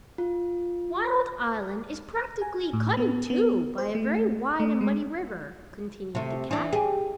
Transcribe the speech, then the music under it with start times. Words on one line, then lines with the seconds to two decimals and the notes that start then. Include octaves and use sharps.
"Wild Island is practically cut in two by a very wide and muddy river," continued the cat.
0.18 F4
2.42 G#5
2.73 A2
2.97 B3
3.30 B3
3.78 C5
3.95 A3
4.60 A3
4.81 G#3
6.15 C3 A3
6.51 E3 D4
6.73 G4 G#4